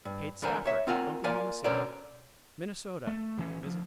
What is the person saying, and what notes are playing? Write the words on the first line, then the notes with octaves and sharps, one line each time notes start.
Kate Stafford, Oklahoma City. Minnesota-Mrs.
G2
C2 D3 E3 A#4 C5 G#5
C#5 E5
C4 F4 A#4 F#5 G#5
A#3 F4 A#4 D5 F5 G#5
B2 D3 C#4 A#4 C5 D5
A3
D#1 E3 C#4
D2 F3